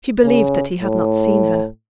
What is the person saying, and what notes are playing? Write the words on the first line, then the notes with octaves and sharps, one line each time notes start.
She believed that he had not seen her.
C#3
A2